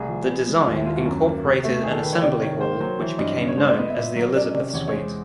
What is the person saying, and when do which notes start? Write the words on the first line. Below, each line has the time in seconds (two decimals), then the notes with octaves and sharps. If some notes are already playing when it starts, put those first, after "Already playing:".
The design incorporated an assembly hall which became known as the Elizabeth Suite.
Already playing: C2 A3 G#4
0.09 F3
0.28 B3
0.47 G#3
0.67 D#2 F4
0.76 E4
0.86 D#2 F4
0.96 F#4
1.06 F#2
1.25 A#3
1.44 C3
1.64 A3
1.83 D#3 G#4
1.92 A4
2.03 D#3 B4
2.12 C#5
2.22 C3 D5
2.42 D#3 C#5
2.61 A#3 C5
2.80 F#3 C5
2.99 E3 C5
3.18 G2 D#5
3.39 C#3
3.47 C#5
3.57 G#3 C5
3.67 D5
3.77 B3 D#5
3.90 E5
3.96 A#2
4.16 F#3
4.25 A#4
4.35 C#4 D5
4.45 D#5
4.54 C3 D5
4.74 E2 C#5
4.88 C#5
4.93 G#3 C5